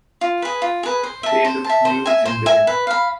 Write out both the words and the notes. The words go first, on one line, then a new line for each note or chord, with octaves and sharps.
They looked new and living.
F4
G#4 B4
F4
G#4 B4
C5
E5 A5
C5
E5 A5
C5
E5 G#5
C5
E5 G#5
B4
F5 B5